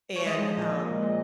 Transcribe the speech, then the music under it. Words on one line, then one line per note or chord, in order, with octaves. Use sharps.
and, um,
C#5
G#3 D#5
F3
A#2
A#2
A#2
A#2